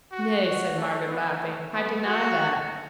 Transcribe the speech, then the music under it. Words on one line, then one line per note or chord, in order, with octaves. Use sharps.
'Nay,' said Margaret, laughing, 'I deny that.
F#4
F#4
A3
B3
A3
B3
F#4